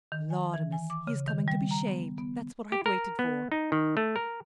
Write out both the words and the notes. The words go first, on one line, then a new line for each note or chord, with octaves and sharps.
Laudamus! he is coming to be shaved; that's what I've waited for.
D#3
G#5
E3
G#5
D6
C#3
D#3
G3
A#5
B3
B3
G4
A#4
B3
D#4
D#3
A3
A#4